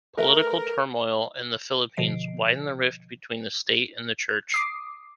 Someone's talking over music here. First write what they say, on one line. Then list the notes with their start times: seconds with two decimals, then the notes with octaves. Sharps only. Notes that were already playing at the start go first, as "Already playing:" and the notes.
Political turmoil in the Philippines widened the rift between the State and the Church.
0.17 A3 A#4 B4 E5
1.97 B2 D3 F3 D#5 C7 D7
4.52 D6 D#6 C7